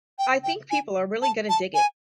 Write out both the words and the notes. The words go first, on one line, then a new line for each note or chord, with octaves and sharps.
I think people are really gonna dig it.
G5
G5
G#5
A5
A5
G#5